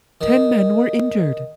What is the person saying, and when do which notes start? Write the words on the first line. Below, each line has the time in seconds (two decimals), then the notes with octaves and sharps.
Ten men were injured.
0.21 D#3